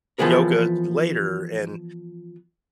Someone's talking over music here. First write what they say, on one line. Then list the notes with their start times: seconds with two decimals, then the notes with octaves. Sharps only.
yoga later and
0.18 E3 F3 G#3 B3 G#4 A#4